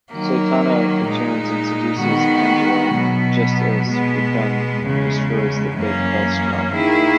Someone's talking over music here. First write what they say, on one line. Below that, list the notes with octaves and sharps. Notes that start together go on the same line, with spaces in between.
Satana returns and seduces Angela just as Wiccan destroys the fake Hellstrom.
D#3 F#3 A#3
A#2 G#3 D#4
D#3 G#3 B3 F#4
B2 F#3 B3
B2 G#3 B3
E2 C#3 G#3
F#2 E3 A#3 C#4
D#3 A#3 E4 G#4